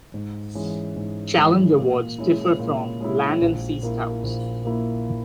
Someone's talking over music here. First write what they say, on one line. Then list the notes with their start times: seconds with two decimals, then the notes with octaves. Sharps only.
Challenge awards differ from Land and Sea Scouts.
0.14 G#2
0.55 E3 G#3 C#4
0.96 G#2
1.37 E3 G#3 C#4
1.78 A#2
2.18 G#3 C#4 E4
2.59 A#2
3.00 G#3 C#4 E4
3.41 A#1
3.82 A#2 A#3 E4
4.23 A#1
4.64 A#2 A#3 E4